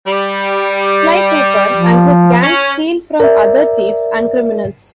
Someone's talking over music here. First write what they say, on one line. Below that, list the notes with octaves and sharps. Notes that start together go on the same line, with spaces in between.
Sly Cooper and his gang steal from other thieves and criminals.
G3
F3
C#4
A#4 D5 E5